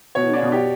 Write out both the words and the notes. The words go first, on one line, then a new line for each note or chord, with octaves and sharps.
you know?
B2 C#5
D5
B2
G4